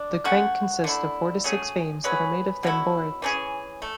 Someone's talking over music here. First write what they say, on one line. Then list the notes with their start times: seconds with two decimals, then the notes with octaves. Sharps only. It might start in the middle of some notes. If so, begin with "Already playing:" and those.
The crank consists of four to six vanes that are made of thin boards.
Already playing: D4
0.25 A3 C#4 F#4
0.84 D3 A3 E4
1.44 F#3 A3 C#4 G#4
2.04 F#3 C#4 G#4 B4
2.63 B2 F#3 A3 E4
3.22 E3 A3 C#4 G#4
3.82 A3